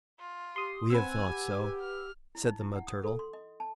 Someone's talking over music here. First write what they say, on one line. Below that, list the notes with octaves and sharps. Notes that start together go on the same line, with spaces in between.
"We have thought so," said the Mud Turtle.
F4
G4 C6 D#6
C4 B4 F#5 G#5 E6
G4
F6
E4
D#4
E4
F#5
D#6
A4
C6
D#5
A5